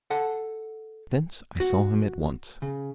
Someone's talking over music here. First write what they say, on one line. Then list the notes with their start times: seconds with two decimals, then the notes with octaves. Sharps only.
Thence I saw him at once.
0.10 A4 F#5 A5
1.60 F#4
2.62 C#3